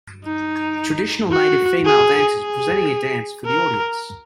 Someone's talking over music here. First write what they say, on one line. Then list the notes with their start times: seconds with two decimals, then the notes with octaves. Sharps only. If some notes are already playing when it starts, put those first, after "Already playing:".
Traditional native, female dancers presenting a dance for the audience.
0.25 D#4
1.32 F#4
1.85 G#4
2.39 G#4
3.45 A#4